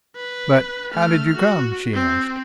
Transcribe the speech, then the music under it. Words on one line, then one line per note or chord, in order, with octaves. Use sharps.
"But how did you come?" she asked.
B4
A3 F6
F#4
C4